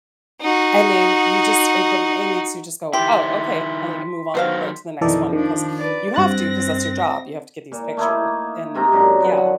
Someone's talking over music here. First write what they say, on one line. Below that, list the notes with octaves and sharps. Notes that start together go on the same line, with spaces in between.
And then you just it go it makes you just go, "Oh, okay," I like, move on right to the next one because you have to, ‘cause that's your job; you have to get these pictures, and yeah.
D#4 F#4
D#3 E4 G4 C6 B6
D#3 F#3 B3 C5 F5
F2 B2 D#3 E3 A4 D5
D#3 F3 D4
B4 D5
G2 C4 F#6 A6 A#6
A#2
A3 A#3 D#4 E4
G#2 C3 C4 A#5
F#2 D3 G4 A#5
F#3 B4 F#5
F3